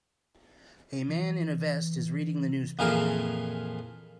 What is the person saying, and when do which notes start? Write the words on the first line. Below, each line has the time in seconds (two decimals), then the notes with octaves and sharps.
A man in a vest is reading the newspaper.
1.09 E3
2.79 F2 A#2 E3 F3 G#4 A#4